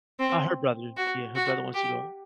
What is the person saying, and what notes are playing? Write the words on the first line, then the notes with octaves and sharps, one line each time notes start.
Ah, her brother. Yeah, her brother wants to go.
C4
F#4
F#4
G4